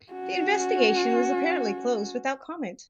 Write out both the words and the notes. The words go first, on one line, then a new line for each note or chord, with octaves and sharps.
The investigation was apparently closed without comment.
C#4 F#4